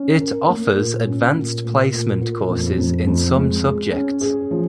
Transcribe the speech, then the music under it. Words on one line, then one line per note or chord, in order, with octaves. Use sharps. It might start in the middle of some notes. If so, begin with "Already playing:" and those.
It offers Advanced Placement courses in some subjects.
Already playing: C#4
A#4
A#3
A#2
C#4
A#2
A#2
A#2
A#2
F2
F2
F2
G#3
G#4
C#4
G#4
F3